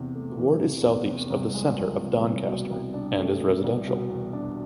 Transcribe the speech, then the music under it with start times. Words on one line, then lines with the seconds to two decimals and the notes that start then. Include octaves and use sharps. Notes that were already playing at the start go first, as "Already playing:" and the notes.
The ward is to the southeast of the centre of Doncaster and is residential.
Already playing: E2 C3
0.14 A3
0.37 E3
0.61 C3
0.83 E2
1.07 C3
1.30 C2
1.54 G#3
1.77 F3
2.01 C3
2.23 C2
2.47 B2
2.71 C2
2.94 D4
3.17 A3
3.40 B2
3.64 C2
3.87 B2
4.10 E2
4.33 D4